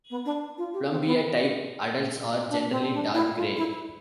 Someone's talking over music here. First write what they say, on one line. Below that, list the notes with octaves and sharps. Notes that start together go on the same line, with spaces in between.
"Plumbea"-type adults are generally dark gray.
B3
D4
F4
G4
C4
B3
D4
C4
D4
E4
F4
E4